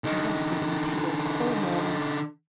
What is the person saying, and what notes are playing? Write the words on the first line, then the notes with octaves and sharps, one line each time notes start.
My wife was in tears the whole morning.
D3 D#4